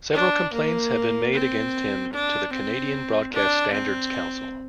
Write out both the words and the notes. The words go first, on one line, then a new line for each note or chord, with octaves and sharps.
Several complaints have been made against him to the Canadian Broadcast Standards Council.
D4
A#3
C4
D4
C4
D4
C4